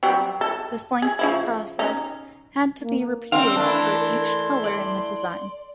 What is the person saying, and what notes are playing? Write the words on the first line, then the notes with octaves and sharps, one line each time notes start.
This lengthy process had to be repeated for each color in the design.
F#3 G3 C4
A4
G#4
C#3 F3 E4
C#4 D#4
A#3
C4 C#4 A#4 F5 C6
E3 A3 D4 A#4
D5